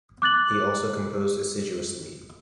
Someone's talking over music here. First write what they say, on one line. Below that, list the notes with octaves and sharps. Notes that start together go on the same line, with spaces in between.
He also composed assiduously.
D6 F#6 A6 F#7